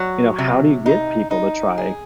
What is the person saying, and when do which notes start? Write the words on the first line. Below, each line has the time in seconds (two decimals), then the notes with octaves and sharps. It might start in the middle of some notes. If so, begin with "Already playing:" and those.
you know, how do you get people to try,
Already playing: F#3 F#4
0.38 C3
0.86 D#4
1.31 D#4
1.78 G#4